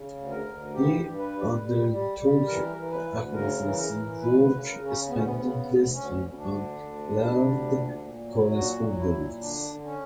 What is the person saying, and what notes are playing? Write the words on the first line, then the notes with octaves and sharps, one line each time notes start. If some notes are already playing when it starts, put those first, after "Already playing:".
He undertook accountancy work, spending less time on learned correspondence.
Already playing: C#3
D2
A#4
D2
G2 G4
G2
B4
G3
G3
G3
G3
E3 A#4
E3
B4
D2
C#3 A#4
E3
A#4
E3
D2 B4
B4
C#3
A#4
C#3
C#4
D2 B3
C#4
B3
C#3
D2
D2 C#4
D2
D4
D3
D2
G3
D2
A#2
A#2
F#3
A#2 F#4
F#3
E4
A#2
D3 D4
D3
C#4